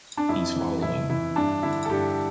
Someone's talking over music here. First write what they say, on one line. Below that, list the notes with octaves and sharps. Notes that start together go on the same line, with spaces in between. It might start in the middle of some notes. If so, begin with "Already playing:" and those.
He’s following.
D4
F2 E4
E3
F2 E4
E3 E4
G2 D4
D3 E4
A4
G2 G4